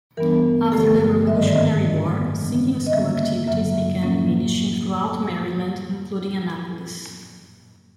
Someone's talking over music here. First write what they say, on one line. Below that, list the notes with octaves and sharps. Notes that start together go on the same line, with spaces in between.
After the Revolutionary War, singing school activities began diminishing throughout Maryland, including Annapolis.
G2 E3 G3 B3 D4 A#4
G2 D3 F3 A3 A4
G#2 D#3 G3 E5
D#5
D5
D#5
F#2 D3 G3 A#3 D4
C#3 E3 G#3 B3 D4
D#5
D3 G3 A#3 C#4 E5
F#2 C#3 F#3 E5
A2 F#3 A#3 C#4